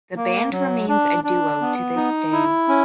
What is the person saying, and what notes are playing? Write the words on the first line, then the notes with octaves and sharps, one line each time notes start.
The band remains a duo to this day.
A#3
F#3
D4
D4
B3
D#4
E4
C#4